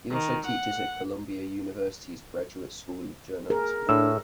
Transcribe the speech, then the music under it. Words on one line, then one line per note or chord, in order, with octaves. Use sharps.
He also teaches at Columbia University's Graduate School of Journalism.
D#3
F#5
G#4 A#4
A2 D4 E6